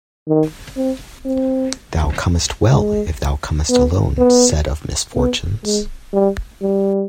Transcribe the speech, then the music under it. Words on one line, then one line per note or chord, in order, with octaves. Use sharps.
Thou comest well, if thou comest alone said of misfortunes.
D#3
C4
C4
G#3
B3
B3
B3
G#3
G3
G3